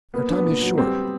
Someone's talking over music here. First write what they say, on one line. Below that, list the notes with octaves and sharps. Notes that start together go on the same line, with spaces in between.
Our time is short.
A#3 B3
D4
B3
A#2
F#3
G3 C4